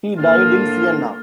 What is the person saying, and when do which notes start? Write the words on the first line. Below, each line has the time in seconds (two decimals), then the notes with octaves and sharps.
He died in Siena.
0.18 A2 A#3 D4 F4